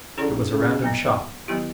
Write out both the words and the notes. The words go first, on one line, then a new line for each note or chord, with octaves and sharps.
It was a random shot.
D3 C#4 E4 G#4 C#5
C#3
F#3 B3 D4
D#3 F#3 B3 E4 G4